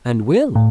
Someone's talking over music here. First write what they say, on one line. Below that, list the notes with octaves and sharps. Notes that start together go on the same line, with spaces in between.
"And will?"
A2